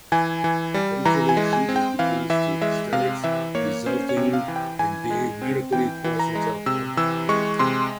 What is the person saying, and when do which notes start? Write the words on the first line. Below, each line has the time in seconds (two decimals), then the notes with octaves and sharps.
Eventually she is reduced to hysterics, resulting in being medically forced into a coma.
0.12 E3 G#5
0.44 E3
0.74 G3
1.05 E3 A#5
1.29 G#5
1.37 G#3
1.53 G#5
1.69 C4
1.76 G5
1.99 E3 F5
2.30 E3 E5
2.62 G#3 E5
2.93 C3 F5
3.24 E3 E5
3.55 A#3 C#5
3.86 C#4 C5
4.09 C#5
4.17 C3
4.33 F5
4.48 E3
4.56 G5
4.79 E3 G#5
5.10 G#3
5.42 C4
5.73 E3 G5
6.04 E3
6.19 A#5
6.35 G#3
6.66 C3 E6
6.97 E3 E6
7.29 G#3 C#6
7.59 C3 C6